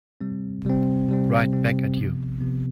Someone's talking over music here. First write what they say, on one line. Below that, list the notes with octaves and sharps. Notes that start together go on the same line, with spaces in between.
Right back at you.
C3 G3 C4
C3 G3 C4
C3 G3 C4
C3 G3 C4
C3 F3 B3
C3 F3 B3